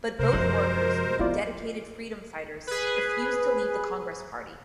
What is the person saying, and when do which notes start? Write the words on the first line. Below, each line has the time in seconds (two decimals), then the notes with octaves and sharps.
But both workers, being dedicated freedom fighters, refused to leave the Congress Party.
0.19 C3 A#4 C5
0.32 F#2 C3 F3 F#3 G#3
1.19 B3 E4 F4 D5
2.67 G#4 B4